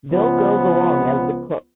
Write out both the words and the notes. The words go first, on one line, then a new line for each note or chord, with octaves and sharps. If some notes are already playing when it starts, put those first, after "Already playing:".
Bill goes along as the cook.
C#2 F3 B3